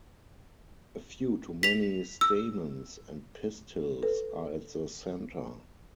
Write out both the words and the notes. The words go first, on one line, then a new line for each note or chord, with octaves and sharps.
A few to many stamens and pistils are at the center.
B6 F7
E6
A4 B4